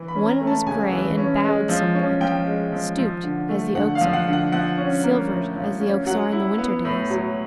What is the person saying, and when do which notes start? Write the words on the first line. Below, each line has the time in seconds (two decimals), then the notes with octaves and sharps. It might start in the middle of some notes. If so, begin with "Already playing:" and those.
One was gray and bowed somewhat, stooped as the oaks are, silvered as the oaks are in the winter days.
Already playing: E3
0.08 B5
0.15 C#4
0.28 A#5
0.41 A3
0.47 A5
0.66 C#3 G#5
0.92 E3
1.17 C#4
1.44 G#3
1.69 F3
1.95 C#4
2.20 F3 G5
2.47 G#3
2.72 F3
2.98 F3
3.23 D3
3.49 A3
3.75 D3 F#5
3.95 F5
4.01 F3
4.13 F#5
4.27 D3
4.33 F#5
4.52 F3 F#5
4.78 C#4
5.04 A#3
5.30 A2
5.56 F3
5.81 C#4
6.06 F#3 F#5
6.32 E4
6.58 B3
6.85 A2
7.10 F#3